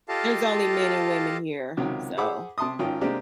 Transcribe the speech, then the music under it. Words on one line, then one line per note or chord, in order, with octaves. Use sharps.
There's only men and women here. So
F4 G4 A4 D#5 F5 A5
C#2 C3 D#3 F#3
G#4 C5 F#5 B5 D6 E6
C3 A5 C6 D#6
G#1 D#3 C#4 F4 G5 D#6
C3 G#3 A#3 C4 D4 G4